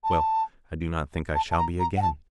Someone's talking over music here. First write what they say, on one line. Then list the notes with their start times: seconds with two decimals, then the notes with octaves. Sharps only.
Well, I do not think I shall be again.
0.04 A5
1.35 A5
1.51 A5
1.58 A#5
1.80 A#5
1.97 F#5
2.02 A5